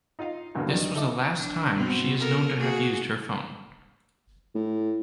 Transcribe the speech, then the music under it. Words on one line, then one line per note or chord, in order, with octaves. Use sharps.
This was the last time she is known to have used her phone.
D#4 F4 D#5 F5
B1 G2 D3 E3 A#3
D#3 E3 G3 D4 D#4
D#4 A4 E5 D6
D4
B2 B3 C4
B3 A4 A#4
A#3 F#4 G#4
A2